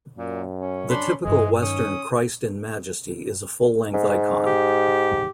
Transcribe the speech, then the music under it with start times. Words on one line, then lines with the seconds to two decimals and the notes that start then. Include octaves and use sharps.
The typical Western Christ in Majesty is a full-length icon.
0.18 F#2 A#2
0.60 C#4
0.90 D4 B5 C6
1.24 G2 E3 F#3 G#3 G#4
1.61 D#3 C#4 D#6
3.94 G#2
4.46 G4